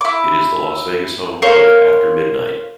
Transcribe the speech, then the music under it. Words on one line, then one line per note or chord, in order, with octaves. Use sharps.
It is the Las Vegas home of After Midnite.
E4 D6
A#4 C5 C#5 F5